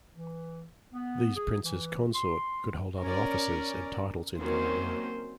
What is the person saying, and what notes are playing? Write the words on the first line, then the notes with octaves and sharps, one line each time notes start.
These princes consort could hold other offices and titles in their own right.
E3
B3
G#4
E3
C6
C#4 A#4 D5
D#3 F#3 A#3 C4 C#4 C5